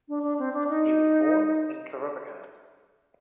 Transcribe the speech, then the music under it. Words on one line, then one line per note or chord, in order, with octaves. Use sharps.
He was born in Kirovakan.
D4
D4
C4
D4
D#4